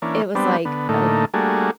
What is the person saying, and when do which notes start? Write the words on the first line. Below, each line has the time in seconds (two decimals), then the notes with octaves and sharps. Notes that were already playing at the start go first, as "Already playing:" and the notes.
it was like, ok
0.02 E3 A#3 C#4 D4
0.35 G3 B3 C4 D4
0.65 D3 B3
0.89 A2 D3 A3 A#3 D#4
1.34 G3 A3 A#3 D4 F#4 G#4